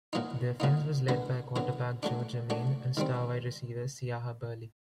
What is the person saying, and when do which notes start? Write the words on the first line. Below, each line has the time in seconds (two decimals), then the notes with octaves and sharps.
The offense was led by quarterback Joe Germaine and star wide receiver Siaha Burley.
0.13 A#2 F#3 A#3 D#4
0.60 A#2 F#3 A#3 D#4
1.09 F#2 D3 F#3 B3
1.56 F#2 D3 F#3 B3
2.03 F#3 A3 D4
2.50 F#3 A3 D4
2.97 D#3 G3 C4